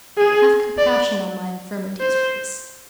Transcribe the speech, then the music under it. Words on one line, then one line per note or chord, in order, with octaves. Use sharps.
Have compassion on my infirmities for his sake.'
G#4
D5
C5